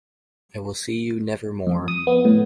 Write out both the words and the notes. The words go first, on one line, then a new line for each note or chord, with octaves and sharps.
I will see you never more.
F2
D#6
B3
A2